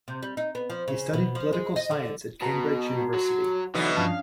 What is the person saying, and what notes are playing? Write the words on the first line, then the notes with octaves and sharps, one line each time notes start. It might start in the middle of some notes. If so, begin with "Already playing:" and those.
He studied political science at Cambridge University.
C3
G3
D#4
B3
F3
C#3
B2
F3
G#3
D#5
D3
B2 F#4 A5 A#5
F#4
F#3 F#4
B2 D3 E3 F#3 B3 D#4 D#6 C7
G2 F3 C#4 D4 F5 A5